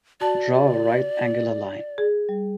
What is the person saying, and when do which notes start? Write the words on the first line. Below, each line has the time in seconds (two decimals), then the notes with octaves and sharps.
Draw a right-angular line.
0.21 F#4 D5 A5
1.98 G#4
2.29 G3